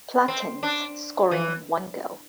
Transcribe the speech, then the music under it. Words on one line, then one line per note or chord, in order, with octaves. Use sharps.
Platense, scoring one goal.
C4
D4
E3